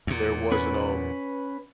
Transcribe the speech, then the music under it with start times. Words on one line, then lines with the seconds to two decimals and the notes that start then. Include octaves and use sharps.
there wasn't, um
0.07 E2 A#2
0.52 C#4 B4